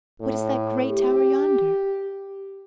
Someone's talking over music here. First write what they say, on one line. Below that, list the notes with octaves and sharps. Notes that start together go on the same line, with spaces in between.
What is that great tower yonder?
A2
G4